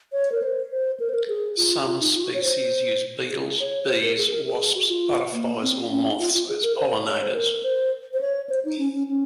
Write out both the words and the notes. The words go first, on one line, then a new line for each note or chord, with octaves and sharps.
Some species use beetles, bees, wasps, butterflies or moths as pollinators.
C#5
A#4
C5
C5
A#4
C5
A#4
G#4
F4
F4
D#4
F4
F#4
C#5
C5
G#4
C#5
C#5
C5
A#4
G#4
A#4
G#4
F#4
F4
A#3
C4
C#4
D#4
F4
F4
G#4
A#4
C5
C#5
C5
A#4
C5
C5
C#5
C5
D#4
C#4
C#4
C#4